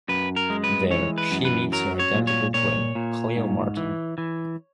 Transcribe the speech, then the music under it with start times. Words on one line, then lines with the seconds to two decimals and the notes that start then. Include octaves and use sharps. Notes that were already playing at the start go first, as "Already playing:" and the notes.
There, she meets her identical twin, Clio Martin.
0.09 F#2 B4
0.36 A#4
0.50 G#3
0.64 B4
0.90 E3 C#5
1.18 B4
1.31 F#2
1.45 B4
1.72 F#3 A#4
1.99 C#5
2.13 A#2
2.27 C#5
2.54 A#2 C#5
2.95 A#2
3.36 G#2
3.77 E3
4.18 E3